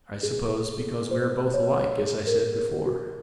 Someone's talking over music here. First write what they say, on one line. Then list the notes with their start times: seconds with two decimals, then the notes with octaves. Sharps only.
"I suppose because we are both alike, as I said before."
0.23 G#4
1.11 C5
1.54 C#5
1.98 G#4
2.27 A#4
2.57 A#4
2.86 F#4